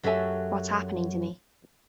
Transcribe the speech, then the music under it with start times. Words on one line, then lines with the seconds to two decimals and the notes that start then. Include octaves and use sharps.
What's happening to me?
0.03 F#2 F#3 G4 A4 E5 G#5